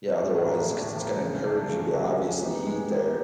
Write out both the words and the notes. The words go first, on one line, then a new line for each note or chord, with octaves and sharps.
Yeah, otherwise, 'cause it's gonna encourage you to obviously eat there,
A2
F3 A#3 D4 G4
A2
F3 A#3 D4 G4
C#3
F#3 A3 D4 G4
C#3
F#3 A3 D4 G4
G#3
B3 D#4 G4
G#3
B3 D#4 G4